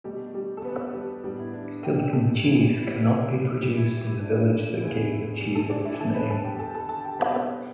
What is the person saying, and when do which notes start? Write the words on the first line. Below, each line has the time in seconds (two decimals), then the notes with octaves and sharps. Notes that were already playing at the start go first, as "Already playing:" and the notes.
Stilton cheese cannot be produced in the village that gave the cheese its name.
0.04 B2 G3 A3 G4
0.34 G3 G4
0.57 A4
0.64 B3 B4
0.94 G3 G4
1.24 A2 G3 B3 G4
1.39 E4
1.53 D4
1.83 G4 G5
1.98 G4 G5
2.13 A3 A4
2.28 G3 G4
2.43 E2 E3 B3 E4
2.55 A4
2.63 G3 G4
2.83 E4
3.02 E4
3.32 G3 G4
3.62 A2 E3 G3 G4
3.77 E4
4.01 G4
4.07 E4
4.21 D4
4.81 E2 D3 B3 E4
5.40 G3 G4
5.55 A3 A4
5.70 D4 D5
5.85 E4 E5
6.00 E2 D3 B3 A4 A5
6.15 B4 B5
6.30 A4 A5
6.44 G4 G5
6.59 A4 A5
6.75 A4 A5
6.89 A4 A5
7.04 G4 G5
7.19 B2 G3 B3 B4 B5